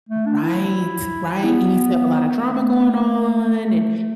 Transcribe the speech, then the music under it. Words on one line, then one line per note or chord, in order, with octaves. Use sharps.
Right, right, and you still have a lotta drama going on and,
A3
D4
E4
B3
A3
A3